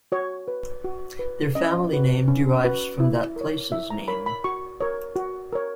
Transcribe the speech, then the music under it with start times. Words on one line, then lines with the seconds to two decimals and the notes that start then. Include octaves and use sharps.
Their family name derives from that place's name.
0.12 F#4 C#5
0.48 B4
0.84 F#4
1.19 B4
1.55 C#4 D#5
1.92 F#4 B4
2.28 C#4
2.64 F#4 B4
3.00 E4
3.36 A#4 C#5
3.72 E4 E5
3.90 A#5
4.08 A#4 C#5 B5
4.26 B5
4.44 F#4 C#6
4.81 A#4 C#5
5.16 F#4
5.53 A#4 C#5